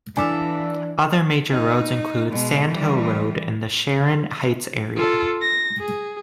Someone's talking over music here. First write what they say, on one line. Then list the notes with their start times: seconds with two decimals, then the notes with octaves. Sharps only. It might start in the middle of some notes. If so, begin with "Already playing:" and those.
Other major roads include Sand Hill Road in the Sharon Heights area.
0.17 E3 D4 A4 E5 F5 G#5 D6
1.50 D#4
2.30 B2 G#3
2.69 E3 G3
4.96 F4 A4
5.42 A#6
5.79 G#4